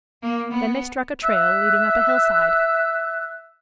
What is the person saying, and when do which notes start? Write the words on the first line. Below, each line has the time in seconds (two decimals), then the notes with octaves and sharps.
Then they struck a trail leading up a hillside.
0.22 A#3
0.52 B3
1.24 E5 F#6